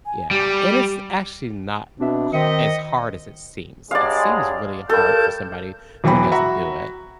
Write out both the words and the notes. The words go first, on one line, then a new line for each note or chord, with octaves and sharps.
Yeah, and it's actually not h as hard as it seems, it seems really hard for somebody who doesn't do it,
G#5
G3 G4
B2 C4 D4 F#4 E5
D#3 C4 D#5 B6 C#7
G2 F#3 G#3 D5 F5
G2 A4 A#4 A5 G6
E1 E3 F#3 B3 G5 B5
F#4 E5 F#5 A#5 B5